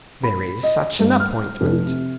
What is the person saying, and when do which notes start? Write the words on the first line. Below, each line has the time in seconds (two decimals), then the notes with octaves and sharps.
"There is such an appointment."
0.23 B5
0.63 D#5
0.99 G2
1.20 F6
1.61 F1
1.86 C3